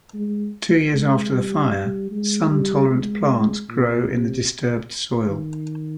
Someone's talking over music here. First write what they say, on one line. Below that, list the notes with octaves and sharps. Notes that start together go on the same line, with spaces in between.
Two years after the fire, sun tolerant plants grow in the disturbed soil.
G#3
G#3
G3
G3
G#3
G3
G#3
A#2
C3
D#3